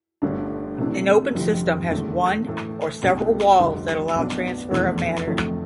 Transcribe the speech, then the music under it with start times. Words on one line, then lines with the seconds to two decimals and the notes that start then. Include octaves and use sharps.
An open system has one or several walls that allow transfer of matter.
0.22 G1 G2 D3 A3 D4
0.78 C3 E3 A3 D4
1.35 F1 F2 D3 G3
1.91 E1 E2 D3 A3
2.47 A2 E3 A3
3.02 C2 B2 A3 D4 G4
3.59 F1 F2 D3 G3
4.15 B1 B2 B3 D4
4.71 F1 E2 B2 A3 D4
5.27 F1 F2 D3 A3